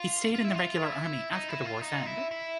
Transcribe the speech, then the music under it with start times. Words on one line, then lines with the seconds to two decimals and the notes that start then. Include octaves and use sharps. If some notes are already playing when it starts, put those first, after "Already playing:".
He stayed in the regular army after the war's end.
Already playing: F4
0.35 F4
0.44 E4
0.54 F4
0.84 E4
1.32 D#4
1.49 E4
1.65 F4
1.82 D#4
2.00 F4
2.07 E4
2.31 E4